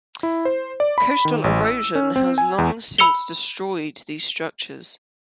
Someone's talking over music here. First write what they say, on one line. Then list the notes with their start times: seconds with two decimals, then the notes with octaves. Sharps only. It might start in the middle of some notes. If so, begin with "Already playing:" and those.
Coastal erosion has long since destroyed these structures.
0.23 E4
0.45 C5
0.80 D5
0.98 B5
1.25 D#3
1.44 A1
1.65 E6
1.95 C#4
2.16 C4
2.38 G#5
2.58 E2
2.98 B5 E6 C#7 F7 G7